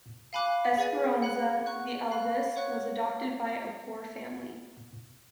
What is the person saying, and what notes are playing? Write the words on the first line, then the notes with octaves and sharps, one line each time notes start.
Esperanza, the eldest, was adopted by a poor family.
F5 G#5 B5 D6 F#6
G#4 B4 D5 G#5
F#5 B5 F#6
F#5 C#6 F#6
F5 B5 F#6
C#5 F#5 C#6 F#6